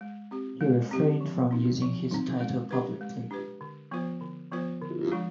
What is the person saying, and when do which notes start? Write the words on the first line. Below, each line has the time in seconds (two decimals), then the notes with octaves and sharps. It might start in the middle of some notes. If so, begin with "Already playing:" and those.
He refrained from using his title publicly.
0.01 G#3
0.31 C4 G4
0.61 G#3
0.91 C4 G4
1.21 F3
1.51 C4 D#4
1.82 F3
2.11 C4 D#4
2.41 G#3
2.71 D4 G4 B4
3.01 G#3
3.31 D4 G4 B4
3.61 D3
3.91 F3 B3 F4 C5
4.21 D3
4.51 F3 B3 F4 C5
4.82 D3
5.11 F3 G#3 D4 F4